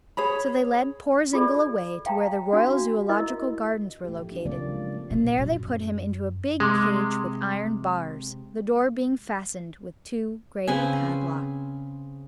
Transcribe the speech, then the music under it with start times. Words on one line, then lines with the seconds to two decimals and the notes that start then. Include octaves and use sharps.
So they led poor Zingle away to where the Royal Zoological Gardens were located, and there they put him into a big cage with iron bars, the door being fastened with two great padlocks.
0.17 G#4 C#5 B5
1.33 F4 G#4 A4 D5
2.06 F5 G5 A5 A#5
2.53 D4 F#4 F5
3.09 E4 A#4 D#5
4.04 A3 G4
4.20 F3
4.32 D4 F4
4.45 C#3 F#3 A#3 C4 D5
4.69 G#3
5.11 A#2 F3
5.37 F#2 C#4
6.60 C3 G#3
10.67 C#3 C4 B4 G#5